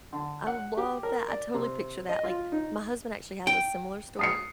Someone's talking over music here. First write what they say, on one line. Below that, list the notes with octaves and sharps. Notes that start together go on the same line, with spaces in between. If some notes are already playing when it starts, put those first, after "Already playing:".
I love that, I totally picture that, like, my husband actually has a similar story,
D3
F#5
G4
A#4
D5
C3
D#5
F4
D#4
G5
D#6 C7 C#7